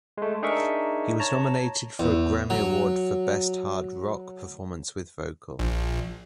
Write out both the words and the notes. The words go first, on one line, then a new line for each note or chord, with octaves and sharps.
It was nominated for a Grammy Award for Best Hard Rock Performance with Vocal.
G#3 A3
D4 D#4 G#4 A#4 E5 C#6
C#5 A5 A#5
E2
F#3
A#1